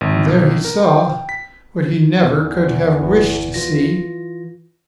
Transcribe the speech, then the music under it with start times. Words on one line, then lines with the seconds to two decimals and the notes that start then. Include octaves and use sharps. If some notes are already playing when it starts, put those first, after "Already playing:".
There he saw what he never could have wished to see.
0.01 G#1
0.25 B1
0.65 A#4
0.82 G5
1.29 B6
2.20 E2
3.02 G1 E4 B4
3.54 E3 F4 A#6